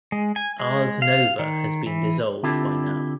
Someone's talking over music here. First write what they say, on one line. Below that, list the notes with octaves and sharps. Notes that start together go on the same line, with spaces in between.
Ars Nova has been dissolved by now.
G#3
G#5
G#3
F5
D#3
E3
D3 C4 E4 F4 G4 A4